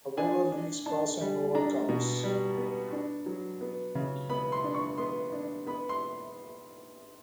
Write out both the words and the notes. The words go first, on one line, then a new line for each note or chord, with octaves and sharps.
However, weeks pass and no one comes.
D4 G#5
D4
D4 A5
G3
D4 A#5
B2
G3
B3
D4
F#3
B3
C#3
B3 B5
C6
D4
C#6
B3 C6
D4
B3 B5
C6